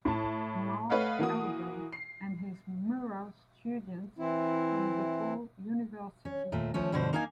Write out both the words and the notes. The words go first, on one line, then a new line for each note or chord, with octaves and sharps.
Mark Elder and his mural students from DePaul University.
A2 E4 A5
A3 B4 C#5 D#5 F5 F#5
E3 A#3 F#4 D#6
C7
E3 C4 E4
C#4
D#2 A#2 A3
F3 A3 C#4
G2 B2 D3 F3 C5
A#3 D#4 A#4 F5 G#5